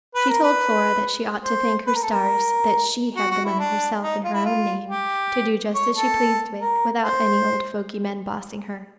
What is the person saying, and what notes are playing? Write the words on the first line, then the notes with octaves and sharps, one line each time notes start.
She told Flora that she ought to thank her stars that SHE had the money herself in her own name, to do just as she pleased with, without any old-fogy men bossing her.
B4
A#4
B4
C5
B4
A#4
A4
A#4
F#4
F#4
E4
D4
D#4
F4
E4
F4
G4
C#5
A4
A#4
C5